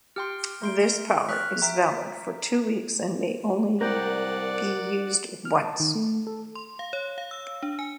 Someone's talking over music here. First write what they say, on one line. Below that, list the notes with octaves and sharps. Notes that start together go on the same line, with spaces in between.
This power is valid for two weeks and may only be used once.
G4 G5 C6 F6
A3 C6 D7
C#6 F6 F#6 B6
E5 G5 A#5
C2 A#4 D5 F#5 G5
F6
A5
D#3
A3
A4
C6
F5
C#5
F5
E6
D4
G#5